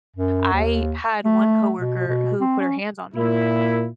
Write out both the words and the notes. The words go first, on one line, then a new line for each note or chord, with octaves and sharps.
I had one coworker who put her hands on me.
F#2
D#2
A3
B2
B2
C4
C#4
A#2 A#3 E4